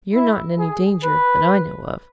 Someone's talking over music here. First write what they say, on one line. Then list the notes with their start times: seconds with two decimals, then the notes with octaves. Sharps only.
"You're not in any danger that I know of."
0.14 E4
0.59 G#4
1.03 B4